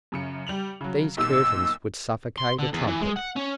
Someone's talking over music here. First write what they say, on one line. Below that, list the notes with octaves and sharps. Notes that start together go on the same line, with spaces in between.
These curtains would suffocate a trumpet.
F#2 C#3 C#7
G3 F7 F#7
C#3 F#3
B1 A#2 D#3 E6
C6
D3
E2
E3
G#3
F#5
C#4